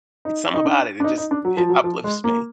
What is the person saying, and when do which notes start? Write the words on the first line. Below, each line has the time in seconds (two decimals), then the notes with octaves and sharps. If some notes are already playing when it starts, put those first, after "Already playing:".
It's something about it, it just, eh, uplifts me.
0.25 D#4
0.54 D#4
0.65 D4
1.00 D4
1.04 D#4
1.18 D#4
1.31 D4
1.45 F#3
1.57 F3
1.69 F#3
1.84 F3
2.04 G#3
2.24 A#3